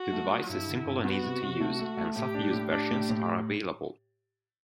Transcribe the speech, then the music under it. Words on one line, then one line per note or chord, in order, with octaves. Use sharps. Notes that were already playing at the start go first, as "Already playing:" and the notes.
The device is simple and easy to use and self-use versions are available.
Already playing: F#4
A3
F#3
G2 E4
D3
G2
B3 F#4
C3
C3
A3
A3
A3
A2 G4
D4
A2
D4 G4
A2
A2